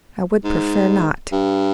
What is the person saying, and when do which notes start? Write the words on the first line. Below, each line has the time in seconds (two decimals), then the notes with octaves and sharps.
"I would prefer not."
0.45 G#2
1.32 G2